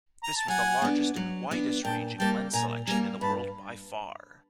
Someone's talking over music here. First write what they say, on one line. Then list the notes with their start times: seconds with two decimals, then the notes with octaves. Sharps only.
This was the largest and widest ranging lens selection in the world by far.
0.23 A#5
0.36 A5
0.48 F#3 F#5 G#5
0.82 B3 D4
1.16 F#3
1.51 B3 D4
1.85 A#2 G5 A5
2.19 G3 A#3 G5 A5
2.53 A#2 G#5 A#5
2.87 G3 A#3 G#5 A#5
3.21 G2 A5 B5